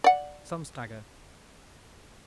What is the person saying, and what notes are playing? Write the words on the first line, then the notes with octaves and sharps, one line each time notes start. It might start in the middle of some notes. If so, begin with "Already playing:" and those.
Some stagger.
D5 F#5